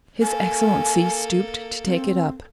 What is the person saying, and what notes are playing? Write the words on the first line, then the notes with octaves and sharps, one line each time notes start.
His Excellency stooped to take it up.
A#3 A4 G#5
C4